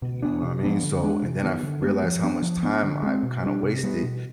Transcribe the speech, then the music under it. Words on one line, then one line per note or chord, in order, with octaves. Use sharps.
You know what I mean? So and then f realized how much time I've kinda wasted,
B2
B3 D4
C3
F3 B3 D4
D3
G#3 D4
C3
D#3 B3
D3
G#3 B3
F3
B3 D4
F3
B3 D4
D3
G#3 C4
B2
G3 D4
C3
G3 B3
B2